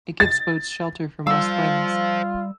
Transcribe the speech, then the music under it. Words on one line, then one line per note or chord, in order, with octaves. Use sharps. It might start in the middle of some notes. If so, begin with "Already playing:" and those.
It gives boats shelter from west winds.
A6
G3 F4 C5 F5 E6